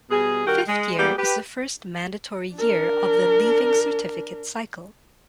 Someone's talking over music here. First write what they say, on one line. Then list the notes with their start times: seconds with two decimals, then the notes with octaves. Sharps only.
Fifth year is the first mandatory year of the Leaving Certificate cycle.
0.11 B2 G3 G#4
0.46 D#3 G3 F#4 G4 A#4
0.68 G#3
0.98 G3 G#3 A#3 B3 G4
1.19 G4 B4
2.55 D4 A#4